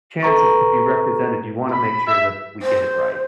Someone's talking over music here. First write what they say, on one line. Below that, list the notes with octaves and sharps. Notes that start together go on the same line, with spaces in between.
chances to be represented, you wanna make sure that we get it right."
A4 B4 A#5 C#6
B5
E5
C5